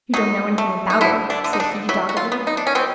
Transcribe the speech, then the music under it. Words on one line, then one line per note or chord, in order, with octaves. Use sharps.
"You don't know anything about it," said he doggedly.
F#3 D#4
A3
D#4
D3 E4
D4
D3
D#4
D4
F#3 E4
F#4
F4
B3
D#4
D4
C#4
B2 C4